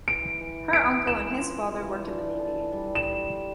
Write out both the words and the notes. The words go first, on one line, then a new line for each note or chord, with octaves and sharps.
Her uncle and his father worked in the Navy.
E3 D7
E3
E3 D7
E3 E7
F4
E3
D4
A4
G3
E7